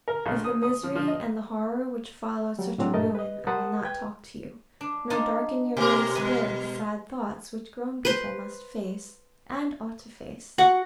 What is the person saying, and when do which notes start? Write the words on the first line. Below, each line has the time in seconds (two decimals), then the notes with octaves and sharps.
Of the misery and the horror which follow such a ruin I will not talk to you, nor darken your young spirit with sad thoughts which grown people must face, and ought to face.
0.08 A#4
0.26 A#1
0.44 D#6
0.63 D#6
0.83 F3
0.96 F3
1.08 D#5
2.59 F#3 G3
2.78 A2 F#3 C4 D4
2.94 G2 A#2 A3 A#4 D#5 A5
3.15 B4 D#5
3.47 A#4 C5 F#5 A5 B5 D#6
3.84 B4 G5 G#6
4.81 D4
5.10 D4 D#4 F4
5.77 B2 G4 A#4
6.15 G#3 B4 D#5
8.05 B4 C5
10.58 F#4 F#5